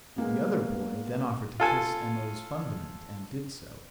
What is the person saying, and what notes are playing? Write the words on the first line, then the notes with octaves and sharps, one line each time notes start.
The other boy then offered to kiss M.O.'s fundament, and did so.
G#3 A#3 B3
F4 A4 G#5